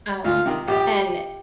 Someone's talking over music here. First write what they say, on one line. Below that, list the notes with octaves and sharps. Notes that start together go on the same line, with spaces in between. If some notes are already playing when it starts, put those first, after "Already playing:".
Um, and
D2 F4
C3 D#3
A#1 G4